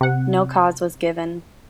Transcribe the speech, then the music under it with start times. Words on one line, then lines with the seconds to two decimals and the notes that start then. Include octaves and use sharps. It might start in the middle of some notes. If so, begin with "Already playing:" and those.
No cause was given.
0.01 C3 F#5